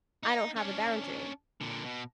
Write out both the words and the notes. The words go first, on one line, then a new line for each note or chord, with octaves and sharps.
I don't have a boundary.
D#4
C#4 D4
A#2 D3
B2